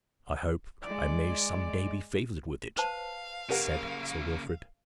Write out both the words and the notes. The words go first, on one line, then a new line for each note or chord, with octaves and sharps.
"I hope I may some day be favored with it," said Sir Wilfrid.
G#3 D5
B4 C5 F5 A5
C#3 A#3 G4 A#4 F#5